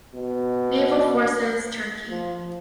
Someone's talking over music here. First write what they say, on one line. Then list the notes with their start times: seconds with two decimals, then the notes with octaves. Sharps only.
Naval Forces, Turkey.
0.14 B2
2.10 F3